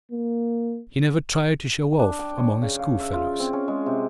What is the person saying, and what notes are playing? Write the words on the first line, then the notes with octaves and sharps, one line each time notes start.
He never tried to show off among his schoolfellows.
A#3
D4
G5
C#5
C#3
F5
E5
F4
C4
C#4
G#3
C3